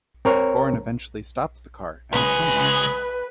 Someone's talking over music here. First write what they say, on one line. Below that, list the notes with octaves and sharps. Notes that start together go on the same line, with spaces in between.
Goran eventually stops the car in a tunnel.
C4 A#4 C#5
C#2 G#4 B4